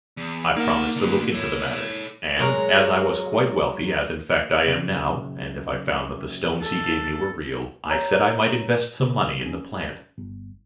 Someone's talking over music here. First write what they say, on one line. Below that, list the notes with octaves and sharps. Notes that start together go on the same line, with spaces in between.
"I promised to look into the matter, and, as I was quite wealthy, as, in fact I am now, and if I found that the stones he gave me were real, I said I might invest some money in the plant."
E2
A#3 D#4 F#5
D3 F#4
A4 C#5
F#3 G#3 A#4
F#1
A4
C#5 A#5 E6 G6
C#3
C#4
G1